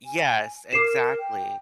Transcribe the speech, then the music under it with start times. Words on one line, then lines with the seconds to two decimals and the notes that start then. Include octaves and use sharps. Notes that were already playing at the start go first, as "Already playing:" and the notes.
Yes. Exactly.
0.06 G#5
0.73 A#4 D6 C7 E7
1.19 G5